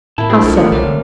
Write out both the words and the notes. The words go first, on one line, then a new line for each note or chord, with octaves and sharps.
"How so?"
A2 A#3 E4 A5
D4 E4 G4 G#4 C5
B1 A3 F4 A4
G#3 B3 D4 A#4
B1 C3 G3 A3 C#5 F5
D3